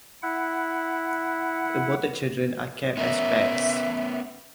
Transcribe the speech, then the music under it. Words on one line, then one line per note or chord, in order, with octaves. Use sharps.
Aborted children are kept as pets.
E4 F#5
B3 C#4 A#4 E5